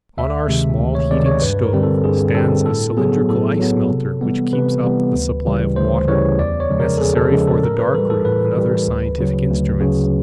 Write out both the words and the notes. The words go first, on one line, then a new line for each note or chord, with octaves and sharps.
On our small heating stove stands a cylindrical ice melter which keeps up the supply of water necessary for the dark room and other scientific instruments.
D2 E5
C3 D#3 G#3
D2
C#5
C3 D#3 G#3 D5
C#5
G2 B4
A#4
D3 G3 C4
A4
G2 G#4
D3 G3 C4 A4
A2 A4
F#3 B3 G#4
A2 A4
F#3 B3
C3
E3 G3 B3
C3 B4
E3 G3 B3
D2
C#3 E3 G3
D2 C5
C#3 E3 G3 C#5
E2 D5
C#5
C#3 F3 G#3
A#4
A4
E2 G#4
A4
C#3 F3 G#3
A4
A2 A#4
B4
E3 G3 A4
A4
A2 B4
E3 G3
D2
C#3 F#3
D2
C#3 F#3